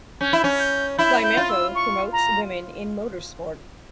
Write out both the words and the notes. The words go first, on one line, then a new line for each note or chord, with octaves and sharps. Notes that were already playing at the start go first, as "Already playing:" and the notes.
Klimenko promotes women in motorsport.
C#4 G6
E4
C#4
G6
E4 G6
G6
F4
E6
C#6
A#5